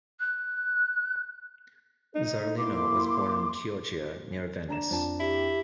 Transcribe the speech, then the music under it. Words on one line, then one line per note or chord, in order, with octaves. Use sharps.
Zarlino was born in Chioggia, near Venice.
F#6
D#4
A#3 E4 C6 D6
D4 A#5 E7
F2 D4 A5
E4 G4